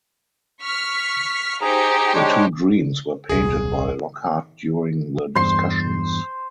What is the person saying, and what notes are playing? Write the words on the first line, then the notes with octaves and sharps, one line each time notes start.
The two dreams were painted by Lockheart during the discussions.
C#6 F6 B6
D#4 G4 G#4 C5 A#5
G#3 D4 C#5
D#1 C2 G#4
E2 G2 C5 C6